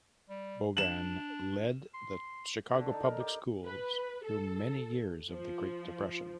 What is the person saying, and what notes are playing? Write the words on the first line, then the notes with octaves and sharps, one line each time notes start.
Bogan lead the Chicago Public Schools through many years of the Great Depression.
G3
D4 E7 F#7
C6
D3
D#4
A#4
G4
B4
A4
F3